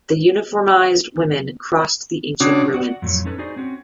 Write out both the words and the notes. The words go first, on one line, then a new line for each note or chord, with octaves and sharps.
The uniformized women crossed the ancient ruins.
C#3 C#4 D4 F#4 D#6
F#4 D5 F#5
F2 A2 F#3 C#5
C#4 D#4 A4 B4
D#4 F#4 G#4 C5 D5
C4 C#4 F#4